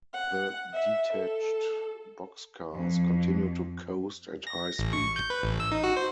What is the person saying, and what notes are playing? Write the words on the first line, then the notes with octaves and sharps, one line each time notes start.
The detached boxcars continue to coast at high speed.
F#5
E5
A4
F2
A#6
A#6
A1
C#6
G6
B4
A1
E6
D#4
F#4
C5